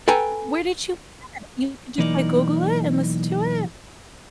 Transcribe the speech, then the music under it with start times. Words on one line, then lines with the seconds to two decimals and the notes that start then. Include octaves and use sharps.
Where did you hear it? You can just, like, Google it and listen to it?
0.08 A4 B4 G5 G#5 A#5
1.98 B1 E3 A#3 D#4 A#4 D5